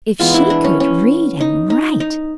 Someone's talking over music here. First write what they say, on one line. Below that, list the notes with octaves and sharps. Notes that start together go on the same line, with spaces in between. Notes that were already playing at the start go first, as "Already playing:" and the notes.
If she could read and write!
E3 G#3 B3 F4
E4
D4
C#4
C#4
D#4
D#4
D#4